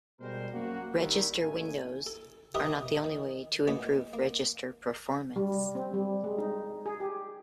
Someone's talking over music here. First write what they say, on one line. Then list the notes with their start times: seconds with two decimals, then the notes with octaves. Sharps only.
Register windows are not the only way to improve register performance.
0.19 B2 G3 G#3 A#4 C5
0.51 F#2 A#3 F#4
0.97 F#1 D#3 G3 E4 A#4
1.39 A1 D#2 A3 G#5
2.06 A4
2.54 D#4 G4 A#4 B4 D#5 E5
3.04 D#3
3.67 A#2 G#3 A#3 B3
4.13 A#3
5.36 G3
5.75 C4
5.94 G3
6.24 G#3
6.38 D#4
6.86 G#4
7.00 G4